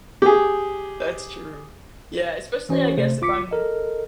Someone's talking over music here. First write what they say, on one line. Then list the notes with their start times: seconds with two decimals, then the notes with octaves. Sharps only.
That's true. Yeah, especially I guess if I'm
0.22 G4 G#4
2.69 E3 C#4 F#4 C5 C#5
2.98 C3 A3 C5
3.20 G#1 C#2 F4 D6 B6 C#7
3.51 A4 A#4 D#5